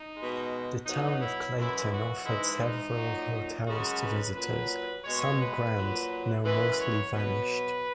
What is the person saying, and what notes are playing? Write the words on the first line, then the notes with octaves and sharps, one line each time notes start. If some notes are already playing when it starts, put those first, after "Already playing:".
The Town of Clayton offered several hotels to visitors, some grand, now mostly vanished.
Already playing: D#4
B2 G#3
B2 F#3 D#4
E4
F#2 E3 G#3 E4
F#4
G#2 E3 G#3 E4
D#4
A#2 F#3
F#2 C#3 G#3 F#4
B4
A#2 F#3 B4
B2 G#3 C#5
B4
A#2 F#3
F#2 E3 G#3 B4
C#5
B2 F#3 B4